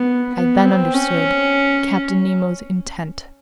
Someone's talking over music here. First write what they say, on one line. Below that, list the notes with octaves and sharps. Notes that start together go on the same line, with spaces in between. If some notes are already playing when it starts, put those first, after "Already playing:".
I then understood Captain Nemo's intent.
Already playing: B3
B3
C4
C#4